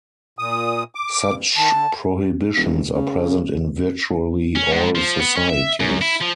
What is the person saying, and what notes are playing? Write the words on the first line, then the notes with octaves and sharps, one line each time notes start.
Such prohibitions are present in virtually all societies.
A#2 D#6
D6
D#3 A5
D3
E1
C#3
C#4
G#2
F3
B3
C#4
E5
F#2
E4
F3